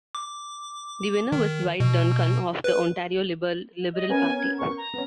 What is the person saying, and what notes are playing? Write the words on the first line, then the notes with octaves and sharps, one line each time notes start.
The winner was Dwight Duncan of the Ontario Liberal Party.
D6
D#3
B2
B4
D#5
B3 C#4 A#4 G#5
G#6
C#6
A#5
B3 C#4